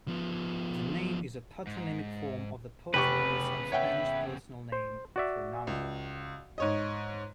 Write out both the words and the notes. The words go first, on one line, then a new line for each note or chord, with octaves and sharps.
The name is a patronymic form of the Portuguese and Spanish personal name "Fernando".
F3 B3
G#2
F1 C#3 B3 G4 B4 C#6
C#5 E5 F#5 G5
C5
F#4 D5 E5
C#2
G#2 C#5 D#5